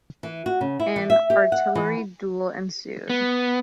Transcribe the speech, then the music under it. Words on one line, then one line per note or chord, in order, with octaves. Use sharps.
An artillery duel ensued.
E3
F#4
C#3
E4
E3
E5
G4
F#5
E3
B3